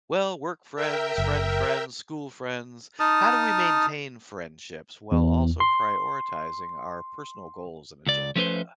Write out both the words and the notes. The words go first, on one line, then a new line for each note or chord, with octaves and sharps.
Well, work friends, friend friends, school friends, how do we maintain friendships while also prioritizing our personal goals and agenda?
A#4 E5 G5
F#1
D#4 A5 D#6 F6
E2
C6
C#2 D5
F3 A3 C#4 D#4 B4 C5